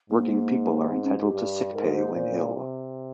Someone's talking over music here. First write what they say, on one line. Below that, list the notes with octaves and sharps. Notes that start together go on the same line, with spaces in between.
Working people are entitled to sick pay when ill.
G#2 A#3
C4
C#4
G4
G2
G#2 A#4
C5
A#2 C5
C3